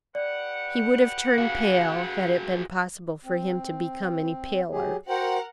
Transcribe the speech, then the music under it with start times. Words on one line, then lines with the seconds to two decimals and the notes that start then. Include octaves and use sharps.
He would have turned pale, had it been possible for him to become any paler.
0.15 G4 B4 D5 F#5
1.38 F#4 G#4 F5
3.25 C4
4.71 F#3 G4 G#4
5.08 F#4 A#4 C5 F#5 G5